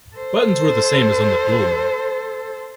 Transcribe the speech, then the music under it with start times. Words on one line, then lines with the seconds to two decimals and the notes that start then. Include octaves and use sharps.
Buttons were the same as on the dolman.
0.15 A4 C5